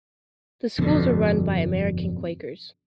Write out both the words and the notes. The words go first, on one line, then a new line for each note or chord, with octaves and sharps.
The Schools were run by American Quakers.
G1 F2 B2 D3